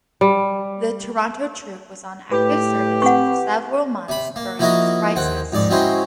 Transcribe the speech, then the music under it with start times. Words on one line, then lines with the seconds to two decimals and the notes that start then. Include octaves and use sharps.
The Toronto troop was on active service for several months during this crisis.
0.21 G3
2.32 A2 G4 B4
3.02 C4 B4 F#5 C#6
4.09 C3 B5
4.36 A#3
4.59 F3 A#3 E4 F#4 A#4 D#5
5.16 D#2 C4 F#5
5.52 F2 G#2 D5
5.70 F#3 G#3 C4 C#4 E4 C5